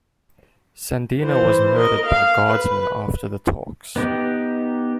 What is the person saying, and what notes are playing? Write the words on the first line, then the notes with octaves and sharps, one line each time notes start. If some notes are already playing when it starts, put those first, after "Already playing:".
Sandino was murdered by Guardsmen after the talks.
E3 C5
A#4 D#5
F5
B4
B3 D#4 G4